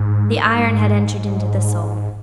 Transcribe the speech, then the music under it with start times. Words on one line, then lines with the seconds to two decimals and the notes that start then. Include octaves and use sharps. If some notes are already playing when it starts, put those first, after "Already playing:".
The iron had entered into the soul.
Already playing: G#2
0.44 G#2